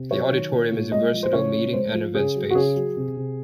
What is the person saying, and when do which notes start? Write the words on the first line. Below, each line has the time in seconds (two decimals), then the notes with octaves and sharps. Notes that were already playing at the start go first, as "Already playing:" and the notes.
The auditorium is a versatile meeting and event space.
Already playing: C3
0.11 F#3 C#5
0.32 D#3
0.52 A#2
0.72 A#2
0.92 G#3 D#5
1.13 F3
1.23 C5
1.33 C#3 C#5
1.53 C#3
1.73 G#3 C5
1.94 F3
2.14 C#3 G#4
2.35 F#3
2.51 F#4
2.55 C#3 G#4
2.76 F#3
2.97 C3
3.17 C3